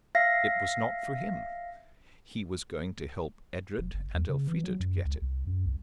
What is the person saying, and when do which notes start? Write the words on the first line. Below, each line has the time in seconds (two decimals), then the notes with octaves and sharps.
It was not for him. He was going to help Edred and Elfrida to get it.
0.15 E5 F5 A#6
3.78 E1
3.94 F#1
4.14 E2
4.29 C#3
4.47 E3
4.64 F#3
4.80 F#2
5.05 C#2
5.22 C2
5.47 F#2
5.66 C2